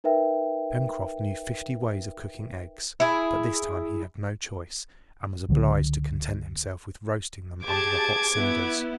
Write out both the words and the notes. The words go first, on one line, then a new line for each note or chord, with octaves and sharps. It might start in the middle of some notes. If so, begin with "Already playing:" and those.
Pencroft knew fifty ways of cooking eggs, but this time he had no choice, and was obliged to content himself with roasting them under the hot cinders.
D#4 A#4 B4 E5 G5
E4 G#4
C#2 D3 F#3
G4 G#4 A5 D6 G#6
B3 E4